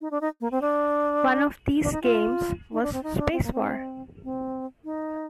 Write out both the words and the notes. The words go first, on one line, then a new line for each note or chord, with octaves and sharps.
One of these games was Spacewar!
D#4
D4
D#4
A#3
C4
D4
D4
D#4
F4
D#4
D4
C4
D#4
D4
C4
A#3
C4
C4
D#4